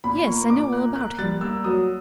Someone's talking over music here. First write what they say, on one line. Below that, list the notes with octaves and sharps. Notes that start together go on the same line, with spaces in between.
'Yes, I know all about him.
A#2 B5
A#3 C#6
A#2 D6
A#3 F#6
A#3 F#6
G3 A6
A#3 E6
F#3 D#6